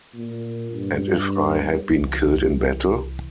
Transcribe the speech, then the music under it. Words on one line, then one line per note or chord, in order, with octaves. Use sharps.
And if I had been killed in battle?
A#2
G2
C2 E3